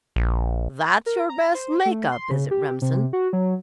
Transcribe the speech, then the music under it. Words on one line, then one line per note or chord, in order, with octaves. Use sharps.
"That's your best make-up, is it, Remsen?"
A#1
A#4
A#5
C5
A3
C6
C#3
G4
C3
F#4
F#3